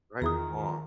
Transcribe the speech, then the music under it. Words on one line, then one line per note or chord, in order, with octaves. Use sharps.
Right on.
E2 D#3 E4 F4 G#4 A#5 D#6